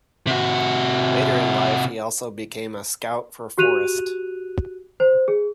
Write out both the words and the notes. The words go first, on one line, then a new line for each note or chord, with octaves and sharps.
Later in life, he also became a scout for Forest.
C3 F#4
F#4 G4 F#6 D#7 F7
C5
G#4